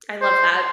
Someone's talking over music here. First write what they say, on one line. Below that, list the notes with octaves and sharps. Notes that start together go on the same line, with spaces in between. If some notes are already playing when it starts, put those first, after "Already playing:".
I love that.
C5